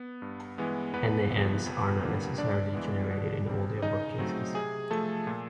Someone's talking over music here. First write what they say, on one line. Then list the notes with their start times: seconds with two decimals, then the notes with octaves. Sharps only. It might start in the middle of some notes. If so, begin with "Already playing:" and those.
NaNs are not necessarily generated in all the above cases.
Already playing: B3
0.22 G2
0.58 E3 G#3 B3
0.94 E2 B3 B4
1.30 C3 F3
1.66 F2
2.02 D3 G3 A#3
2.38 G2 D4 D5
2.74 E3 G#3 B3
3.10 B2
3.46 G3 C4
3.82 C#3 D#4 D#5
4.18 F#3 A3 C4
4.55 C3 G#4 G#5
4.91 F3 A3 A4 A5
5.27 A#2